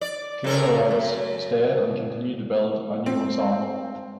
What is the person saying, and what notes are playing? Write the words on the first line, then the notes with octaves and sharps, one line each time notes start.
Kay Lorentz stayed and continued to build a new ensemble.
D5
C3 A4 A#4
F#2
C4